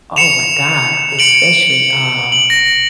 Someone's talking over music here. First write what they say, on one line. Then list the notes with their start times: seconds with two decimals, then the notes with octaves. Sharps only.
Oh my god, especially, um,
0.16 C#7 E7 F7
1.19 C#7 D7 F#7
2.32 F#7
2.50 A#6